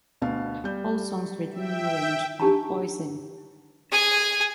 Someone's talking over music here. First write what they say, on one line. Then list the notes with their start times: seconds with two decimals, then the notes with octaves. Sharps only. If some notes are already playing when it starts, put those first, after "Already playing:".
All songs written and arranged by Poison.
0.22 D2 B2 F5
0.64 G3 G6
1.50 E5 G5
2.40 D4 D#4 G4 A5 A#5
3.92 G#4 G#5